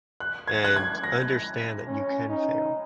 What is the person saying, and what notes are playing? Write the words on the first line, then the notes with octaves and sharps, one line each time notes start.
and understand that you can fail,
F#6
G#6
F#6
G#6
A#6
C#4
D#4